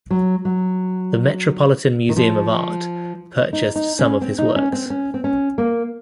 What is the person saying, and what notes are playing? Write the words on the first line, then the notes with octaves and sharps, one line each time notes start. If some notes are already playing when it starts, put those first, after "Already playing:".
The Metropolitan Museum of Art purchased some of his works.
F#3
F#3
D#3
F3
D#4
D#4
C#4
C4
D#4
C#4
C4
C#4
C4
C#4
A#3